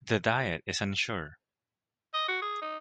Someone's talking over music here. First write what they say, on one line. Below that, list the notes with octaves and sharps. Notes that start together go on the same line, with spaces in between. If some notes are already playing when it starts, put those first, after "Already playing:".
The diet is unsure.
D#5
F#4
G#4
D#4